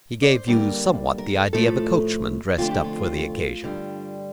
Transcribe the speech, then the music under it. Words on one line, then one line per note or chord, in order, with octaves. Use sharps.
He gave you somewhat the idea of a coachman dressed up for the occasion.
D5
C5
G2 D3 G3 A#3 A#4
A#4
A4
A2 F3 A3 A4
F2 D3 A3 F4
G4
F4
G2 D3 G3